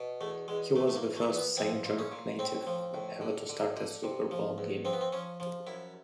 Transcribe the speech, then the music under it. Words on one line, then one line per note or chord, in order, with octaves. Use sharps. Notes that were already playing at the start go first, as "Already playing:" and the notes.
He was the first Saint George native ever to start a Super Bowl game.
Already playing: B2
E2 A3
E2 G#3
E3 A3
A3
A#3
E3
A3
E3
B3
F3 C4
A#2
C#4
A#2
A2 C4
F3
A2
D3
D3
D3
C3
F3
E2
F3 C4
B3
C4
F3 C#4
F3
F#2 E4